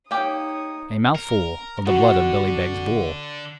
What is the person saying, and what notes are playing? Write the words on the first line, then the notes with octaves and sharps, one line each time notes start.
"A mouthful of the blood of Billy Beg's bull."
A#3 D#4 G4 C#5 D#6
A#4
D3 F#4